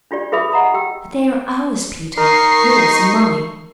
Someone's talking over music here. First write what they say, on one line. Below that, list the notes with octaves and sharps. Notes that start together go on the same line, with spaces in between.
'But they are ours, Peter, yours and mine.'
D4 F4 G4 D5
F4 G#4 B4 E5 B5 D#6
D#5 F#5 A#5 D#6
G4 G5 E6
D#4 A#4 C#6 C7